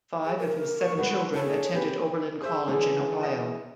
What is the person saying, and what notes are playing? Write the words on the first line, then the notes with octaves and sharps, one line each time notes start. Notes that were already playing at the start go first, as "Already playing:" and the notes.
Five of his seven children attended Oberlin College in Ohio.
G#4
A#4
C#6
D#3 G3 G#3 F#4 B4
E4 G#4 A4 C#5
C4 G4 B4
G#4 C5 E5
D3 E3 C#4 G#4
D#5